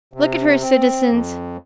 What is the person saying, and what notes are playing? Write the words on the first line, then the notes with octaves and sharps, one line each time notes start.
Look at her, citizens!
C3
C4
F2